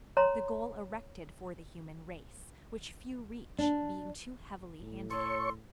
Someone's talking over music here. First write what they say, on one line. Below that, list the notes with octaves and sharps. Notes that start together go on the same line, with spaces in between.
The goal erected for the human race, which few reach, being too heavily handicapped.
C#5 A#5 C6
D4
A2
A4 C#5 C6 C#6